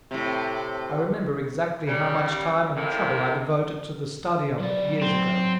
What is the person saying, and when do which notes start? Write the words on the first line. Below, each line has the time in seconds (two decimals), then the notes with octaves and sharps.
I remember exactly how much time and trouble I devoted to the study of it, years ago.
0.11 A2 C3
1.87 C#3 G3
2.75 A2 C3 D#3 A#3
4.59 F#3 D5
5.02 C4